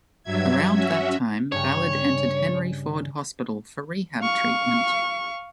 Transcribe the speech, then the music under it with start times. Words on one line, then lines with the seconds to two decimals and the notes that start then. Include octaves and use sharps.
Around that time, Ballard entered Henry Ford Hospital for rehab treatment.
0.23 G2 F#3 E5 G#6
0.73 C#4 F#4 E5
1.52 G2 C#3 C#5
4.22 F5 C#6